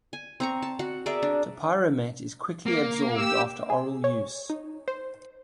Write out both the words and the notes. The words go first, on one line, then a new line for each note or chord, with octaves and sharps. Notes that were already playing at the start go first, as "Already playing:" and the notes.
Topiramate is quickly absorbed after oral use.
G#5
C4 A#5 C#6
A5
F#4 F#5
G#4 A#4 D5 E5
D4
A#3
G4 E6
G#4
C#5
D#4
C5